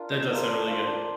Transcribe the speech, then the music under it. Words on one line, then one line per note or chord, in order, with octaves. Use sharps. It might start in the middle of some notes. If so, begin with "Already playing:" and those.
That does sound really good.
Already playing: D4 F4 A#4
G#3
D4 F4 A#4
D4
F4 C5 F5
D4